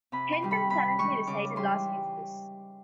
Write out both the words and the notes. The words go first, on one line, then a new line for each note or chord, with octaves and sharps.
Henton currently resides in Los Angeles.
C3 B5
C6
D#3 G3
B5
C3 B5
D#3 G#3 C#6
C#3 D6
E3 G3 C6